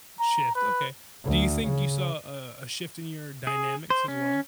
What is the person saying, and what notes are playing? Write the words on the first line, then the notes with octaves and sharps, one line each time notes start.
shift, okay. Do you think you saw, uh, a shift in your dynamics, as well?
A#5
B4
D2
C#3
G#4
C5
C#4